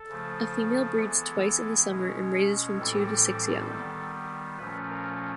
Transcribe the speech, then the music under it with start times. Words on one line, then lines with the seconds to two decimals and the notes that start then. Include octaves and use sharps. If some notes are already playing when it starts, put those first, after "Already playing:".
A female breeds twice in the summer, and raises from two to six young.
Already playing: A4
0.09 C#3 F3 A3
0.98 E3 G#3 B3
1.88 B2 G#3 C#4
2.78 A2 E3 G3 C4 A4
3.68 D#3 G3 B3
4.58 A#2 F3 A3 C#4 B4
4.88 A#4